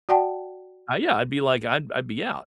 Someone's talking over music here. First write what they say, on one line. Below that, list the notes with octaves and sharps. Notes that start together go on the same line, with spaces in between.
Uh, yeah, I'd be like, "I'd I'd be out,"
F#4 D5 F#5 G5 A5